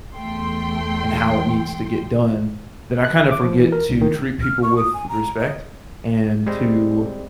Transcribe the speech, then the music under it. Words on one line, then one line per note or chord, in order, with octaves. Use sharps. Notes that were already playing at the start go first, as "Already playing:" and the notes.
and how it needs to get done, that I kind of forget to treat people with respect, and to
E2 A3 G5 C6
F#6
E5
D6
F3
E3
A#4
C2
D#3
F6
C#6
D#6
G#5
A#5
D#5
G3 G#3 C4